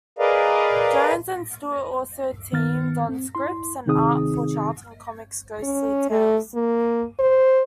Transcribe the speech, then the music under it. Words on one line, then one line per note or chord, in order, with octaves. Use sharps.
Jones and Stewart also teamed on scripts and art for Charlton Comics' "Ghostly Tales".
G#4 A#4 B4 D5 D#5 F5
D#3 B3 F6 A6
C4
E4 C6
C3 D#3 C4 D#4 G#4 D#6
C#4
A3
A#3
C5